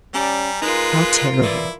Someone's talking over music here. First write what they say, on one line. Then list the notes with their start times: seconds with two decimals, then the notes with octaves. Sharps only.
How terrible!
0.14 G3 C#4 G4 D5 G#5 A#5
0.62 G#3 D#4 F4 A#4 B4
1.42 E3 E4 B4 D5